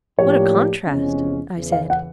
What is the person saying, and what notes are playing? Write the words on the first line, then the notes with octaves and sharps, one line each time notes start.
"What a contrast!" I said.
A2 F3 A#3 D4 G4 C#5
E2 C3 F3 G#3 C#4
E2 C#3 E3
F5
F#5